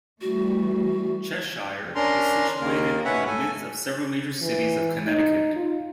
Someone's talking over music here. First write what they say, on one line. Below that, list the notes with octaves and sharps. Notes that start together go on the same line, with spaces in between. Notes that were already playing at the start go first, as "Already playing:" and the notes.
Cheshire is situated in the midst of several major cities of Connecticut.
E3 G3 A3 F#4
F2
C#4 D4 A#4 A#5 C6
D#2 D#3 A#3 A#4
B2 C#4 B4 C#5 E5 F#5
A4 G#5
E3
D#4
F4